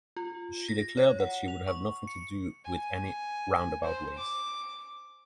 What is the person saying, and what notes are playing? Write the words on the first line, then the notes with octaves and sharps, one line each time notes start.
She declared that she would have nothing to do with any roundabout ways.
F4
A#6
C#5
F#5
F7
C#6
C#7
G#5
C5
D6